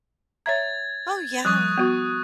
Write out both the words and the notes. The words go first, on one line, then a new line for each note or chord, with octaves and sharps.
Oh, yeah.
C#5 E5 A#5 G#6 A6
F3 G3 C#6 D#6 F#6
B3 F#4